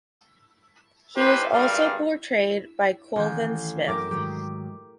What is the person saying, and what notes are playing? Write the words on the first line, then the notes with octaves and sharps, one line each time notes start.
He was also portrayed by Colvin Smith.
A1 G4 B4 C5
G#1 G2 F5
A1 D#3 C6 G6
F#2 G4 A#4 D6
G#2 D#3 F#3 G4